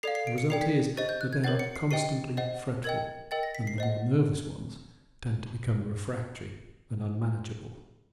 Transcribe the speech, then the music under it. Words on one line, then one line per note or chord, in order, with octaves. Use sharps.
The result is that they are constantly fretful and the more nervous ones tend to become refractory and unmanageable.
A4 D5 F5 C7
C7
D7
C#7
A4 D5 G5 C7
B6
G4 C5 D#5 A6
G6
F#6
G#6
A#4 C#5 F#5 A6
C#7
C7
G4 B4 D#5 G5 C7
C5 D#5 F#5
A#4 D#5 G5 G#6
A#4 D#5 G5 A6
A#6
B6
C7
C5 D#5 F#5